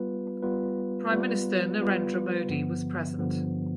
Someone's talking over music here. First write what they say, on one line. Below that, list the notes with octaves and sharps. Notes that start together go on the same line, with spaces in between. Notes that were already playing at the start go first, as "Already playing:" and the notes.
Prime Minister Narendra Modi was present.
Already playing: G3 B3 F4 B4
G3 B3 F4 B4
G3 B3 F4 B4
G3 B3 F4 B4
G2 D3 F3 B3
G2 D3 F3 B3